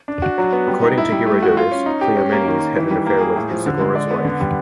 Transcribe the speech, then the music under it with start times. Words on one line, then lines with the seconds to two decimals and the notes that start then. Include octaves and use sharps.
According to Herodotus, Cleomenes had had an affair with Isagoras' wife.
0.08 D4
0.22 F#4
0.38 F#3
0.53 B3
0.68 G3
0.82 D#4
0.98 E4
1.12 G3
1.26 A3
1.43 F#4
1.57 F4
1.72 C#4
1.86 D#4
2.01 G4
2.17 C#4
2.32 A#3
2.46 D#3
2.61 D#3
2.76 E3
2.91 G3
3.06 A#3
3.20 G#4
3.36 A2
3.51 F3
3.66 D3
3.80 G#3
3.95 D5
4.11 B3
4.25 D3
4.40 G3